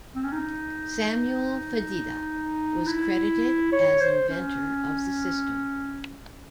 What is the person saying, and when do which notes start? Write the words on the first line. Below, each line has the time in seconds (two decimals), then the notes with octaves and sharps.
Samuel Fedida was credited as inventor of the system.
0.16 C4
0.24 C#4
0.32 D#4
2.87 E4
3.72 C#5
4.01 C5
4.29 C#4